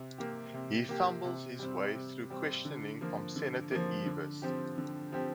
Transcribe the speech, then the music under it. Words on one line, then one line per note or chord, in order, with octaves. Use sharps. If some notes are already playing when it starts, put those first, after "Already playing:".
He fumbles his way through questioning from Senator Eavis.
Already playing: C3
A#3 G4
C3
A#3 G4
C3
G3 C4
C3
G3 C4
D3
F3 A#3
D3
F3 A#3
D3
F3 C4 G4
D3
F3 C4 G4